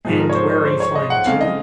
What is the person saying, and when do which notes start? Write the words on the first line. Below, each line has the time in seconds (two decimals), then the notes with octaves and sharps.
"And where are you flying to?"
0.05 G#2 F3 G#3 G#4
0.20 A#4
0.29 C#5
0.35 C5
0.50 C#5
0.65 C5
0.80 C#5
0.95 D#5
1.10 F#5
1.26 F2 C#3 G#3 F5
1.41 D#5